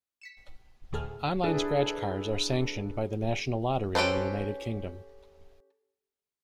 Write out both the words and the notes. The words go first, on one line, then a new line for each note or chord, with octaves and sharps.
Online scratch cards are sanctioned by the National Lottery in the United Kingdom.
B6 C#7 E7
D2 A2 G#4 A4 F6
D4 E4 G#4 A4 B4
C#4 G4 A4 B4 C5